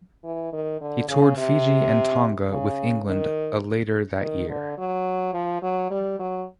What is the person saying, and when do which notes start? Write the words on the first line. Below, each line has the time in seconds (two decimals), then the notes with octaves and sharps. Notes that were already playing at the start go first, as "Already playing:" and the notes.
He toured Fiji and Tonga with England A later that year.
0.24 E3
0.53 D#3
0.81 D3
1.09 C#3
1.37 C3
2.51 C#3
3.07 D#3
4.20 D#3
4.49 D3
4.78 F#3
5.34 F3
5.62 F#3
5.90 G3
6.19 F#3